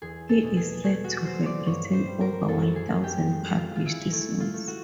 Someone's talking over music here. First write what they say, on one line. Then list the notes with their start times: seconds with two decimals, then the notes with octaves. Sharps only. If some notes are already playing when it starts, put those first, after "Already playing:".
He is said to have written over one thousand published songs.
0.02 E2 G#4
0.29 A4
0.43 B2
0.57 G#4
0.84 A3 G#4
1.04 F#4
1.25 F#3 C5
1.46 D5
1.66 G2 C#5
1.93 C5
2.07 G3
2.21 A#4
2.48 F#2 A4
2.76 G#4
2.89 F#2
3.03 G4
3.31 G#3
3.58 F4
3.72 G#3 F4
3.86 E4
4.12 A3 E4
4.40 F4
4.54 A3
4.68 F#4